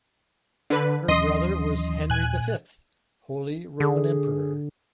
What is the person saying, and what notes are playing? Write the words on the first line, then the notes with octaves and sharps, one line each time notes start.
Her brother was Henry the Fifth, Holy Roman Emperor.
D3 B4
D#2 E3 F#3 C#4 D#5 C6 D#6
A#2 G#5 F#6
D3 G#4